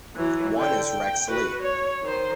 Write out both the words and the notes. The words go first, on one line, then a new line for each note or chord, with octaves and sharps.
One is Rex Lee.
E3 F#3
D3 G5
G5
F#4 B4
C#5
D#3 C5